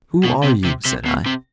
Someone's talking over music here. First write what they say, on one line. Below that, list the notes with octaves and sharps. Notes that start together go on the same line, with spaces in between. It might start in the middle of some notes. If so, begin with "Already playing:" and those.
"Who are you?" said I.
B2
C3
C3
C3
B2
C3